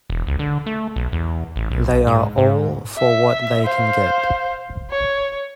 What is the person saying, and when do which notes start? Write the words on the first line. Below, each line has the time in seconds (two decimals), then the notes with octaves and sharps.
They are all for what they can get.
0.10 E1
0.27 C#2
0.39 D3
0.66 A3
0.96 B1
1.12 E2
1.56 A1
1.71 B1
2.07 G#2
2.38 G#2
2.98 E5
3.65 C5 F5
4.91 C#5